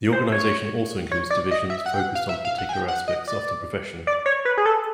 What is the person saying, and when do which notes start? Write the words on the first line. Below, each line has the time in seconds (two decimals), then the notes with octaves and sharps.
The organization also includes divisions focused on particular aspects of the profession.
0.12 C5
0.32 C#5
1.11 C#5
1.30 D5
1.51 D#5
1.70 E5
1.86 F#5
1.94 G5
2.00 F#5
2.15 F5
2.29 E5
2.45 F5
2.58 F#5
2.69 G#5
2.73 G5
2.88 F#5
3.08 D#5
3.27 D5
4.07 D5
4.26 C#5
4.45 B4
4.57 G#4
4.66 A4